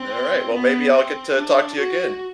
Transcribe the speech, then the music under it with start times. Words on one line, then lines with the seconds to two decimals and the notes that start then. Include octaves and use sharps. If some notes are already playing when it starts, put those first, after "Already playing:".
Alright, well, maybe I'll get to talk to you again.
Already playing: C4
0.53 B3
0.95 C4
1.36 D4
1.78 F#4